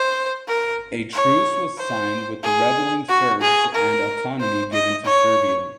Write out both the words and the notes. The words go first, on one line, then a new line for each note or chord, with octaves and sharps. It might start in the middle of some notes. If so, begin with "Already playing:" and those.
A truce was signed with the rebelling Serbs and autonomy given to Serbia.
Already playing: C5
A#4
C#5
C5
G#4
F#4
G#4
A#4
C5
D#5
C#5